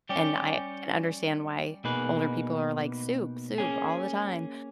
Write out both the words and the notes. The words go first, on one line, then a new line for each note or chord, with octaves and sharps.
and I can understand why older people are like, "Soup, soup all the time,"
G3 C#4 G4
B2 A#3 D#4 G#4 B4
A#3 C#4 G#4